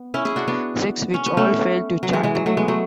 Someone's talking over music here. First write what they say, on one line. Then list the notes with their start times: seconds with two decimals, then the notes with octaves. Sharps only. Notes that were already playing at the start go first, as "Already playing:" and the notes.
Sex, which all failed to chart.
Already playing: B3
0.14 C#4 E4
0.25 E4 G#4
0.36 D4 F#4
0.48 B3 D4
1.14 C#4
1.26 B3
1.37 A3 C#4
2.03 F#3
2.13 E3 G#3
2.23 E3 G#3
2.35 F#3
2.46 F#3 A3
2.57 G#3 B3
2.68 F#3 A3